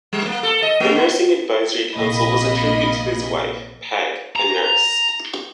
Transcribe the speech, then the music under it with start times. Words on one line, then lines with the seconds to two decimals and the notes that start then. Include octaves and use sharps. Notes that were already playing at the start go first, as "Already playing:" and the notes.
The nursing advisory council was a tribute to his wife, Peg, a nurse.
0.13 G3
0.26 A#3
0.43 A4
0.62 D#5
0.80 A3
0.95 B3
1.94 A#1 C3 A#3 D#5 B5
4.36 A#5